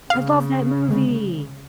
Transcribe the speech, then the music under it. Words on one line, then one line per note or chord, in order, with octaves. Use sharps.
I love that movie!
C#3 F5
D3 G#3